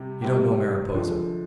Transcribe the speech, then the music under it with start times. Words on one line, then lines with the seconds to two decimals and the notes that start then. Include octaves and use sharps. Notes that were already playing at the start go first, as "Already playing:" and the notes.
You don't know Mariposa.
Already playing: C3 G3 G4
0.22 C3 G3 C4 G4
0.93 D3 F3 G#3